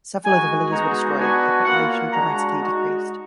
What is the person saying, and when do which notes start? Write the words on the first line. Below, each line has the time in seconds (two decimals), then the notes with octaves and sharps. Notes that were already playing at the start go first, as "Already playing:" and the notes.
Several of the villages were destroyed, the population dramatically decreased.
0.25 G#3 D#4 F#4 G#5
0.71 G#3 B3 D#4 F#4 A#5
1.18 B3 D4 F#4 G#5
1.65 A#3 F4 F#5
2.12 G#3 D4 F#4 A#5
2.59 G#3 D#4 F#4